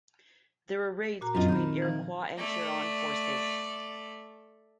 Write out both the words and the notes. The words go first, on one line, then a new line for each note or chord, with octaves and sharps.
There were raids between Iroquois and Huron forces.
A#2 F#4 A#5
F#2 C4 F4 D#5
D#3 B5 G6
E3 F3
A3 D5